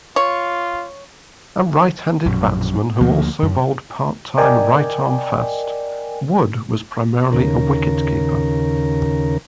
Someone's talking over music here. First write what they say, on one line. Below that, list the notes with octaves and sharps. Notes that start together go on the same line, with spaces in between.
A right-handed batsman who also bowled part-time right-arm fast, Wood was primarily a wicketkeeper.
F4 C#5
A#1 F#2 B2
D2 F3 A#3
F#2
A#4 D5 D#5 G5 G#5
D#2 C#3 A#4